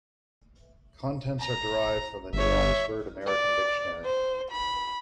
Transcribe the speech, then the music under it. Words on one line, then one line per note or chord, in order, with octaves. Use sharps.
Contents are derived from New Oxford American Dictionary.
A#5
G1 C#5 E5
D5
C5
B5